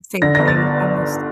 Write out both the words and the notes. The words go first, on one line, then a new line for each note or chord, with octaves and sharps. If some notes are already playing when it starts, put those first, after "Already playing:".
same thing almost
D3 A#6
A#6
G1
A6